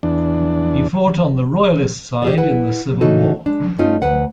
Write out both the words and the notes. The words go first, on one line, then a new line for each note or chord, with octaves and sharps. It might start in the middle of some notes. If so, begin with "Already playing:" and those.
He fought on the Royalist side in the Civil War.
E2 D4
G4 G#4 D5
E4 B4 F#5 G#5
C#3 E3 A3 D#4 F#4 A4
G#3 D4
G2 A3 C#4 D#4 F4
D2 B4 F#5